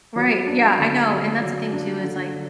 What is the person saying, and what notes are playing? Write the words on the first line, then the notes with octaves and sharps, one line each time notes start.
Right, yeah, I know, and that's the thing too, is, like,
F#3
D4
D3
A#3
F#3
D4
D3